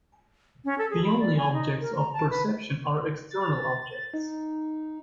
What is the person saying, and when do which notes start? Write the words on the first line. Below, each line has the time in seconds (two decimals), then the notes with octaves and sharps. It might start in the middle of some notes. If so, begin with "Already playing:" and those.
The only objects of perception are external objects.
0.65 C#4
0.78 A4
0.90 G#4
1.04 B5
1.20 D5
1.37 G#5
1.53 D#4
1.81 A#4
1.96 A#5
2.13 A5
2.30 B4
3.31 A6
4.14 D#4